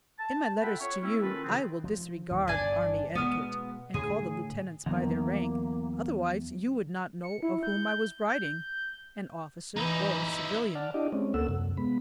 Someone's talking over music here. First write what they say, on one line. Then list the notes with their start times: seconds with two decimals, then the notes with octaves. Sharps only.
In my letters to you I will disregard army etiquette, and call the lieutenants by their rank, otherwise you would not know of whom I was writing--an officer or civilian.
0.18 A5
0.61 F4 A4 E5 F#5 G5 B5
0.80 C#5
1.02 A3 A#3 C4 C#4 E4
1.22 D#3 C#4 F4 A4 B4
1.44 C#3 E3 F3 B3 C4
1.84 F3
2.31 D#2 A2 E3
2.48 G1 C3 D4 G#5
3.15 B2 G#3 B3 F6
3.94 A2 D3 G#4
4.86 E2 D3 F#3 A#3
7.23 C#7
7.43 E4
7.63 G6
8.27 G6
9.77 E3 D#4 E4
10.75 D5 F#5 A5 F6
10.94 D4 E4 G4 D5 D#5
11.12 G#3 C4 C#4
11.34 D2 A#3 A4 F#5 E6
11.49 F#2 C3
11.77 G#3 B3 B5